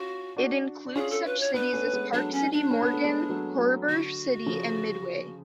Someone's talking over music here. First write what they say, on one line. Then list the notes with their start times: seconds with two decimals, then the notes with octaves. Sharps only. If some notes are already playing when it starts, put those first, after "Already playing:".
It includes such cities as Park City, Morgan, Heber City, and Midway.
Already playing: C#4 F4 F#4
0.37 D4 F#4
0.86 D4
0.95 C#4 F4 G#4
1.11 A4
1.25 B4
1.40 C#5
1.54 B3 D4 B4
1.73 A3 C#4
1.87 C#4
1.93 G#3 B3
2.12 F#3 A3 D4
2.32 C#4
2.52 D4
2.71 C#4
2.82 B3
2.94 A3
3.04 G#3 B3
3.29 F#3 A3
3.58 F#3 A3
3.88 D3 F#4
4.46 C#3 F3